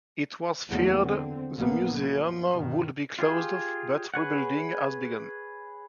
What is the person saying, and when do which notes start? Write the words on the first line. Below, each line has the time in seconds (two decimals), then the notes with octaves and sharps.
It was feared the museum would be closed but rebuilding has begun.
0.69 F#1 E2 F#3 A3 A#3
1.00 D3 C4
1.56 A#1 A#2 A#3 B3
1.91 F#2
2.53 G1 B2 D#3
3.19 F4 G4 G#4
4.14 G#4 B4 C#5 F#5